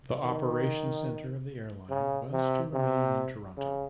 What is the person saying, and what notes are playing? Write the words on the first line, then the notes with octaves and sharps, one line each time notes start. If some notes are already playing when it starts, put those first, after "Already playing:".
The operation centre of the airline was to remain in Toronto.
D#3
C#3
C3
C3
C#3